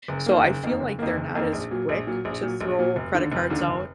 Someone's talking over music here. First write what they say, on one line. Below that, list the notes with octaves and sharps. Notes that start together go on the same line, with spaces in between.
so, I feel like they're not as quick to throw credit cards out.
F#1
F2 D#3 A#3
F#1
F2 D#3 A#3
F#1
F2 D#3 A#3
F#1
F2 D#3 A#3
A#1
A#2 F#3
A#1
A#2 F#3
A#1
A#2 F#3
A#1
A#2 F#3
F1
D#2 D3
F1
D#2 D3
F1